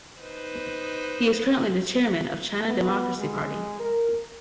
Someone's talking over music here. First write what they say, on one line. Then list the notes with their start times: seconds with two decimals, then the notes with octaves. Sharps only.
He is currently the chairman of China Democracy Party.
0.20 D#4 B4 C5
2.67 B3
3.18 G#3
3.80 A#4